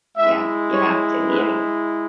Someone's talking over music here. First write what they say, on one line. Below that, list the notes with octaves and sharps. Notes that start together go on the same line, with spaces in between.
Yeah, you have to, you know.
G#3 E4 E5
C#5
B4